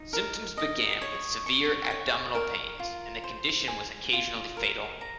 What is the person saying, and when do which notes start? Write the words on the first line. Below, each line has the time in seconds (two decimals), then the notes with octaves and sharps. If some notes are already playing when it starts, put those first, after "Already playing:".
Symptoms began with severe abdominal pains and the condition was occasionally fatal.
Already playing: D#4
0.13 A#4
0.57 D#5
1.01 C#5
1.46 C#6
1.91 C#5
2.35 A#4
2.79 F4
3.24 C5
3.68 G#5
4.13 F4
4.57 A#4
5.01 A#5